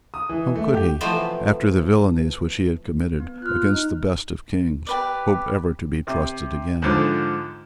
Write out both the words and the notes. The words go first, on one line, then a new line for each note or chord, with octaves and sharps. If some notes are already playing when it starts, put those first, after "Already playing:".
How could he, after the villanies which he had committed against the best of Kings, hope ever to be trusted again?
D#6
E3
A3
G4
C3 E3 F3 A3 B3 C5
B3
F4 F6 F#6
D#4
G4 B4 D5
C3
G#2 D3 F3